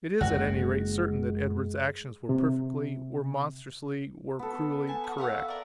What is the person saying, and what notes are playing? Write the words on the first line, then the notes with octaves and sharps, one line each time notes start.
It is, at any rate, certain that Edward's actions were perfectly--were monstrously, were cruelly--correct.
F#1 F#2 G#3 F#4
C3
B3 A4
G#5 A5
F#4 B4
F#4 E5 F5
A#4 D5